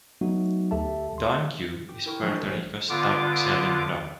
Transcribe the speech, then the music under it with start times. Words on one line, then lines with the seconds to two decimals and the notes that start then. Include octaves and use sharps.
Don Q is Puerto Rico's top-selling rum.
0.21 F#3 A3 B3 D#4 F#4
0.71 D2 G4 A4 E5 A5
1.18 C6
1.89 G4
2.05 E4 A#4 G5 C#6
2.22 F3 G3 A#3 D4 G#4
2.42 A#1 A3 C#5 G#6 C7
2.89 D3 B3 F4 D6